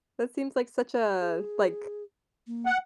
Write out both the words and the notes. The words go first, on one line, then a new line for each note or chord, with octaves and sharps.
That seems like such a, like
G#4
A#3
F#5